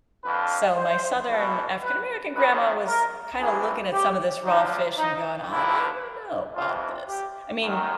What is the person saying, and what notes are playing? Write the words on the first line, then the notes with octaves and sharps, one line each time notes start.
So my southern African-American grandma was kinda looking at some of this raw fish and going, "I I don't know about this," I mean,
F2 D3 F3 B4
C5
E2 B2
B4
F#2 D#3 B4
A#4
A#1 A2 E3 G#4
G4
D2 D3 F3 D#4
D#4
D#2 D3 F3 E4
F2 C3 E3 F4
G4
F#2 D#3